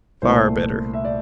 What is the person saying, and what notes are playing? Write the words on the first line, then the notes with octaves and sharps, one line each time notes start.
Far better.
C2 A#2 A3 C5
E5
D5